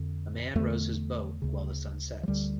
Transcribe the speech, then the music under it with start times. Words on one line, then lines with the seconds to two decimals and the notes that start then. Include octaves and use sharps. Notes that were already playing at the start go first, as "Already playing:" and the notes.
A man rows his boat while the sun sets.
Already playing: F2 D3
0.55 E2 D3 A3
1.42 D2 C#3
2.23 F3
2.28 D2 D3 G3